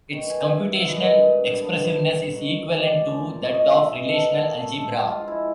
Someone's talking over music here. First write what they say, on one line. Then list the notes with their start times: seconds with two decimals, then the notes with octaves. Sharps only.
Its computational expressiveness is equivalent to that of Relational algebra.
0.11 D#3 F#3 B3 G5
0.30 G#5
0.48 G2 E5
0.72 E5
0.85 D#3 G#3 B3
0.97 D#5
1.22 G2
1.58 D3 G3 B3
1.95 G2
2.33 D#3 F#3
2.70 G#2 D5
2.78 D#5
2.87 D5
3.07 F3 A#3
3.43 F#2 D#5
3.54 D#5
3.62 E5
3.81 D#3 G#3 B3 E5
3.99 D#5
4.09 A4
4.18 D#3 A#4
4.54 F#3 A3 A4
4.73 A4
4.91 G#2 F4
5.10 F4
5.28 F3 G#3 E4